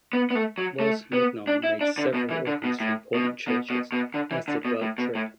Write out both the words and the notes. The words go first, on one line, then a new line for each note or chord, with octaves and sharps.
Welte Mignon made several organs for important churches as did Welte-Tripp.
B3
B3
A3
F#3
A3
B3
D4
E4
D4
D3
B2
E3
D3
B2
A2
B2
B2
B2
B2
D3
E3
D3
B2
A2
B2
A2